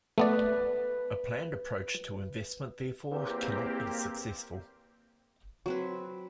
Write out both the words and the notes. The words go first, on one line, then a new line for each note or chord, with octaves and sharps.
A planned approach to investment, therefore, cannot be successful.
A3 B3 B4 D5
E2 A#3 C4 G4
F#3 C4 B4